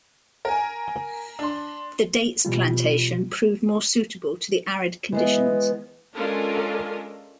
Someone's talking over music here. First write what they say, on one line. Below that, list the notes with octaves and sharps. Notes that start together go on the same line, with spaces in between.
The dates plantation proved more suitable to the arid conditions.
A#4 G#5
D4 C6
B2 E3 G3 F4
E3 G#3 B3
G#3 C#4 D4 F4 A4 A#4